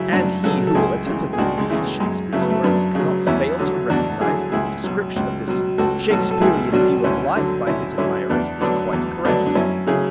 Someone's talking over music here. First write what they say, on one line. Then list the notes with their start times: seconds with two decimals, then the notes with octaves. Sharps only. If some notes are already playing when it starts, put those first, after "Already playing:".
And he who will attentively read Shakespeare's works can not fail to recognize that the description of this Shakespearian view of life by his admirers is quite correct.
Already playing: F#2 C#3 F#3 C#4 E4
0.12 F#2 D4 F#4
0.44 C#3 F#3 F#4 A4
0.67 A4
0.75 C#2 E4 G#4
1.06 C#3 E3
1.33 G#4
1.38 C#2 D4 F#4
1.58 G#3
1.70 C#3 E3 A3
2.00 F#2 G#3
2.33 C#3 F#3 A3
2.41 B3
2.50 A3
2.63 F#2 B3 D4
2.95 C#3 F#3
3.27 E2 C#4 E4
3.59 D3 F#3
3.90 E2 D4 F#4
4.21 D3 F#3 E4 G#4
4.52 C#2 E4 G#4
4.84 B2 F#3
5.16 C#2
5.48 B2 F#3
5.78 C#2 F#4 A4
6.10 B2 F#3 F#4 A4
6.31 A4
6.41 C#2 E4 G#4
6.72 B2 F#3 D4 F#4
7.04 D2 C#4 E4
7.36 D3 F#3
7.66 D2 C#4 E4
7.98 D3 F#3 C#4 E4
8.29 E2 B3 D4
8.61 D3 F#3 B3 D4
8.93 E2
9.25 D3 F#3 B3 D4
9.47 D4
9.55 F#2 C#4 E4
9.87 C#3 F#3 E4 G#4